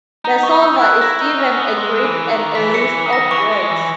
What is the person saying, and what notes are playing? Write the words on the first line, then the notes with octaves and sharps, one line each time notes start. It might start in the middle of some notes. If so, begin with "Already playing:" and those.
The solver is given a grid and a list of words.
D#4 A#5
C#6
D#4
E6
E4
F#6
E4 A#6
D#4
C#4
B3
G#3
E3
D#3
E3 B6
F#3 C#7
E3
D#3
A#6
E3 C#6
G#3
E3